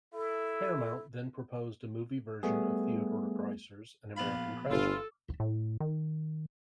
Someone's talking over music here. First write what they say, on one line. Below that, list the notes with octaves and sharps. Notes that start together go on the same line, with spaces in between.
Paramount then proposed a movie version of Theodore Dreiser's "An American Tragedy".
E4 A4
G3 A3 B3 G#4
A#1 B3 F5 B5
G1 E3 A3 F4 A4
A2
D#3